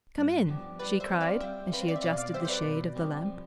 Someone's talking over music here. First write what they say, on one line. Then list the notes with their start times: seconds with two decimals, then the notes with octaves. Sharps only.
"Come in!" she cried, as she adjusted the shade of the lamp.
0.18 G2
0.49 F3 B3 D4 G4
0.79 G3 B4 D5
1.00 C5 E5
1.10 C4 F4
1.21 D5 F5
1.41 G3 E5 G5
1.72 C4 F4 B4
1.80 C5
1.88 D5
1.96 E5
2.03 B2 D5 F5
2.18 D5 F5
2.34 G3 C4 G4 C5 E5
2.45 C5
2.49 B4 D5
2.65 B2
2.95 G3 C4 G4
3.26 F3